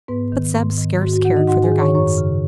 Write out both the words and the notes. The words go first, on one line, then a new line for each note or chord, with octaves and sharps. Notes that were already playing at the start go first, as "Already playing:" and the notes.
But Zeb scarce cared for their guidance.
G#2 B3 B4
D#3
G#2
D#3
G#2 F#4
F#4
D#3 F#4 F#5
D#4 D#5
G#2 F#4 F#5
G#4 G#5
D#3
C#5 C#6
F#2 C#5 C#6
C#3